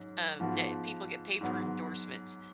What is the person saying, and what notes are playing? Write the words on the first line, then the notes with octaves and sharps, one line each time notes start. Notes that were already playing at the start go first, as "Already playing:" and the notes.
um, that people get paper endorsements.
Already playing: G#2 F#3 C#4
G#2 F3 B3 F#4
G#2 F#3 B3